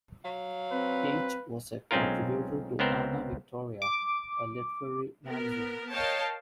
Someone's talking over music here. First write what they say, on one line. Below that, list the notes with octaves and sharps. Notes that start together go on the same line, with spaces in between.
Eich was a contributor to "Ana Victoria", a literary magazine.
F#3 F5
C4 B4
B1 G#3 C4 C#4 F4 A#4
C#2 B3 C4 A#4 C5
D6
B3 A#4
A#4 C#5 D#5 F5 G5 A5